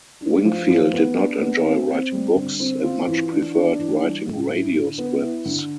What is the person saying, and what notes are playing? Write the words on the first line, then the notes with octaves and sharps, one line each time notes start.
Wingfield did not enjoy writing books, and much preferred writing radio scripts.
D4
F3
F3
B3
D4
B3
C4
C4
G3
D3
C4
F4
E3
D4
D4
E3
G3
A2
E4
D3
B3
E4
D3